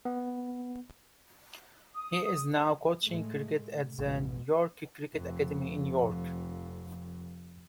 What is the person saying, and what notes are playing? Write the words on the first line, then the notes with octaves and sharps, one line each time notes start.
He is now coaching cricket at the York Cricket Academy in York.
B3
D#6
A2 G#3 A3
A1 F2 B2 G#3
F1 F2